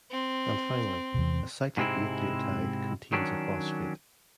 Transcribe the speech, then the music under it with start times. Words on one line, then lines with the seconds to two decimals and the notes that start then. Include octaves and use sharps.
And finally, a cyclic nucleotide contains a phosphate.
0.11 C4
1.14 E2 C3
1.77 G#2 C3 G#3 C4 E4
3.13 D#3 F#3 C#4 D4